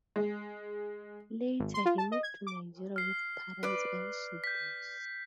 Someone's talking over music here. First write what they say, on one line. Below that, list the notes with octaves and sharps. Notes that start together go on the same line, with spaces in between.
Later he moved to Nigeria with parents and siblings.
G#3
G#1
C6
F4
A5
D#5
G#6
D6
F6 C7
B4 D5
G6 B6